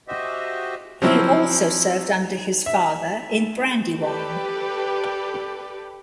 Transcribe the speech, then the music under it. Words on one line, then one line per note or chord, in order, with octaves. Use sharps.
He also served under his father in "Brandywine".
F#4 G4 C5 D#5 E5
F3 F#3 C4 E4
E5
G4 A4 B4 D5